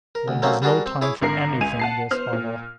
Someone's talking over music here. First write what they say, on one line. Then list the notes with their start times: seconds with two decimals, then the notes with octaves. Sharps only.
"One has no time for anything in this hovel!"
0.15 A#4
0.28 D2
0.42 F#3 A3 A#3 C4 C#4 D#4
0.62 G3 D4 F#4 G#4 A#4
0.86 C4
1.01 E4 G#4 C#5 G#5 D6
1.21 G#1 D3 A#4 C7
1.61 C#2 G#5 D#7 F7
1.79 F#5 A5 C7
2.11 B3 C5 F6
2.33 A#2